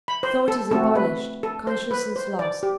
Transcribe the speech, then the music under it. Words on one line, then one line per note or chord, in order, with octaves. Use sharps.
Thought is abolished, consciousness lost.
B5
C5
A4
A3 C4 F#4 A4
B4
A4
C5
B4
C5
D5
G4